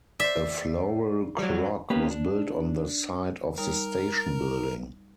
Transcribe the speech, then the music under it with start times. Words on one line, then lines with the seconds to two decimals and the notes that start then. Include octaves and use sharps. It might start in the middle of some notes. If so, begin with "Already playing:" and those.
A floral clock was built on the site of the station building.
0.20 C5 D5 E5
1.39 F#3 G3
1.90 A#3 B3 C#4 G4 B4
2.11 D4
3.58 G3 D#4 A#4 C#5